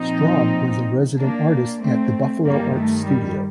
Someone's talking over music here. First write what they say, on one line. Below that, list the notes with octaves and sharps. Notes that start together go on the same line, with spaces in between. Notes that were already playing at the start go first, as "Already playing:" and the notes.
Straub was a resident artist at The Buffalo Arts Studio.
Already playing: A#2 F3 C4 D#4
A#3 D4
A3 C4
G2 D#3 G3 A#3
A3
G3